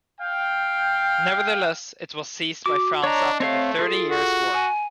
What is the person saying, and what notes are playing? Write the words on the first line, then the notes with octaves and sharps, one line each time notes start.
Nevertheless, it was seized by France after the Thirty Years' War.
F5 G5
F#4 D6
D4 C#5 D#5 A#5
A3 C4 C#5 F5
F4 G#4 A4
F#4
G#5